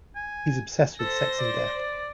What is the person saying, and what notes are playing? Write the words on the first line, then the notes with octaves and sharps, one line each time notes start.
He's obsessed with sex and death.
G#5
A4 C5 A#6
D5